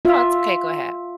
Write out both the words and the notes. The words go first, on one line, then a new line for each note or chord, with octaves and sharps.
No, it's okay go ahead.
F4 E5